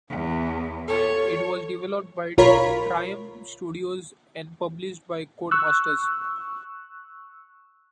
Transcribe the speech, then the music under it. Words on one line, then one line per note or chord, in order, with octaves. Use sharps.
It was developed by Triumph Studios and published by Codemasters.
E2
F4 G4 A4 C#5
B1 F4 A#4 C#5 B5
C#6 E6 F#6